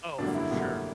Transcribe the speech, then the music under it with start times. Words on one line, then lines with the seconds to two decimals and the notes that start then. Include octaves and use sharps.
Oh, for sure.
0.18 G#1 F#2 D3 G3 A#3 D4
0.34 E4
0.51 G#1 F#2 D3 G3 A#3